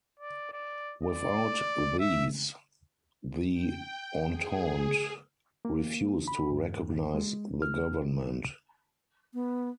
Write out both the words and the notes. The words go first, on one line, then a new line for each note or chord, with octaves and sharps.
Without these, the Entente refused to recognise the government.
D5
D5
D5
E5
G5
G#4
A#3
B5
G2
G#3
F6
B3